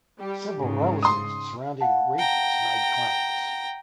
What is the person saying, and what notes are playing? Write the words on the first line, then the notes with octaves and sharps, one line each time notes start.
Several relatives of surrounding regions made claims.
G3 G4
G#2 C#3
C6 D#6
F5 F#5 A5
G5 A#5